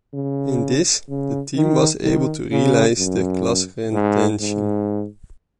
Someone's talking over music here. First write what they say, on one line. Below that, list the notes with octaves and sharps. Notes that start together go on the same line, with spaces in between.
In this, the team was able to realize the class retention.
C#3
C#3
D#3
D#3
C#3
F#2
G#2
G#2